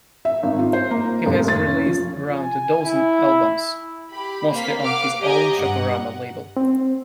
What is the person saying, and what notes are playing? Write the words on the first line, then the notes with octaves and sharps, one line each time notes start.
He has released around a dozen albums, mostly on his own Shockorama label.
E5
G#1
F4
C5
A#3
F1
A6
C#4
F3
G#5
E4
G4 B5
A#3 C4 F5 B6
F5 F#5 D6 F6
G4 C#5 D#5 G#5 A#5
G2 F#5
C4